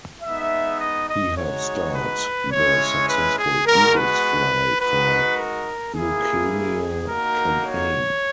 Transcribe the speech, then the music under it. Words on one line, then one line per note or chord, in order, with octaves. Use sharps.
He helped start the successful Eagles Fly for Leukemia campaign.
G#3 B3 D#4 E5
D#5
D#5
G#3 D#4 F#4 C#5
B4
G#3 C#4 E4 C#5
B4
G#4
G#3 B3 F#4 A#4
B4
G#3 D#4 F#4 B4
A#4
A#3 E4 G#4
A#3 D#4 F#4 A#4
C#5